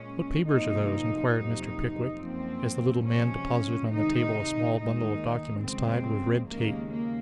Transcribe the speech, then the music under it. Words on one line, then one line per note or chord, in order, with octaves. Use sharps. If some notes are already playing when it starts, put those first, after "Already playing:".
'What papers are those?' inquired Mr. Pickwick, as the little man deposited on the table a small bundle of documents tied with red tape.
Already playing: A#2 G#3 C#4
C3 F3 A#3 D#4
F2 C3 F#3 A#3 D#4
F#2 F3 A#3 C4
C3 F3 G#3 C#4
C3 D#3 G#3 D#4
D#2 D#3 G#3 D#4
F2 C#3 G#3 C4
D#2 C#3 G#3 A#3
A#3